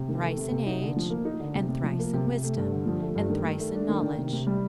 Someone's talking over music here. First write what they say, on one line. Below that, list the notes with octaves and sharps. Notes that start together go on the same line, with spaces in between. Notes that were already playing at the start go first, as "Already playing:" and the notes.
Thrice in age, and thrice in wisdom, and thrice in knowledge.
Already playing: C3
D#3
A3
C3
C3
D#4
D3
F3
A#3
D#4
D3
C3
C3
F3
A#3
C3
C3
A3
G2
D3
F3
A3
G2
D#3
D#3
A3
D4
D#3
D#3
C3
C3
G3